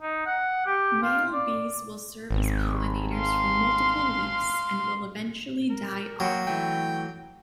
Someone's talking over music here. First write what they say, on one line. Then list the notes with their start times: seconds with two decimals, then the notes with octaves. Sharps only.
Male bees will serve as pollinators for multiple weeks and will eventually die off.
0.02 D#4
0.26 F#5
0.66 G4
1.02 F4
1.33 D5
2.31 G#1
3.16 F5 C6
5.70 A#4
6.20 F#3 A#3 F#4 G5
6.47 E3 A3 G5